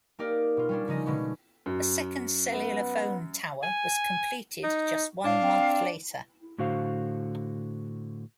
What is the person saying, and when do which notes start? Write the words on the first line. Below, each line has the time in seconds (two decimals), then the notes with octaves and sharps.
A second cellular phone tower was completed just one month later.
0.19 A#3 D#4 G4 A#4 D5
0.57 B2 F4
0.69 G3 C#4 D4
0.88 C#3 F3 D#4 D#5
1.06 B2 D3 G#3 B3 C#4
1.66 F#2
2.52 B3
3.63 G#5
4.63 D#4
5.25 A2 D4 F5
5.43 C4
6.58 A2 D3 F#4 C5 F5